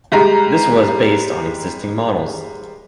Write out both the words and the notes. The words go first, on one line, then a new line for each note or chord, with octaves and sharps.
This was based on existing models.
G3 G#3 A#5